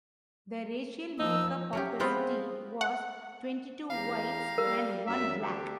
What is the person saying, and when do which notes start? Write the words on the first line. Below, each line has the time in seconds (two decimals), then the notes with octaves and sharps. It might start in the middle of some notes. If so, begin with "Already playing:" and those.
The racial makeup of the city was twenty-two whites and one black.
1.19 F3 D#4 E6
1.73 F#3 C#4 G4
2.00 G#3 B3 C4 F4 B4
2.81 F#5
3.90 E2 G4 F5 A#5
4.58 G3 A#4
5.07 F#2 E5
5.40 D2 D4 G4